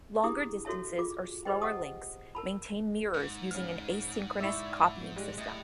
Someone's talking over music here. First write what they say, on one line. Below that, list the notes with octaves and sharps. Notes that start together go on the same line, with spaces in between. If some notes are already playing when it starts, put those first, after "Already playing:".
Longer distances or slower links maintain mirrors using an asynchronous copying system.
D4 E4 G4 G#4 D6 D#6
F#4 A4 C#5 E5 A5
F4 G#4 D6
G4 G#4 B4 C5 D#5 G5
D#5 F#5 G5 A5 D#6
A#4 A5 B5
G#2
C#3 F6
E4 D5 E5 C#6
G3 G#3
A2 D#5